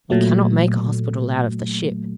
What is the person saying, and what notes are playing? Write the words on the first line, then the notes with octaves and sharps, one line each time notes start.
We cannot make a hospital out of the ship.
A#2 F#3 A3